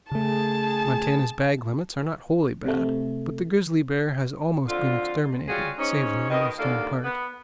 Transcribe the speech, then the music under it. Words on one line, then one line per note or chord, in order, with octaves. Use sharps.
Montana's bag-limits are not wholly bad; but the grizzly bear has almost been exterminated, save in the Yellowstone Park.
C#3 A3 G#4 A5
C3 A3
F2 D3 F4
G3 C#4 F4 F#4 G#4
G#2 C#4
B2 D#3 D#5
D#2 D3 A#3 A4 F5
B3